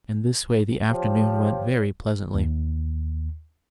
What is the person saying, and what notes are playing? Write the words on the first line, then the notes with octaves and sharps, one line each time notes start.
In this way the afternoon went very pleasantly.
F3 G4 C#5
D#2